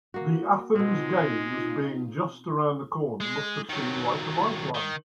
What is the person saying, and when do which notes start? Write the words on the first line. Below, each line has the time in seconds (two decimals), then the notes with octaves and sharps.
The Athens games being just around the corner must have seemed like a lifeline.
0.14 A#3 F#4
0.76 B2 G#3 C4 D#4 F4
3.20 G#3
3.69 D#3 F#3
4.75 D#3